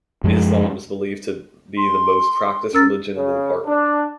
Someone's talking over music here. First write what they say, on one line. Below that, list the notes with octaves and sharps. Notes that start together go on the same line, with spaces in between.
Islam is believed to be the most practiced religion in the department.
F#2 F3 F#3 G#3
C6
C#4 A#4 E6 A6
C#3
D4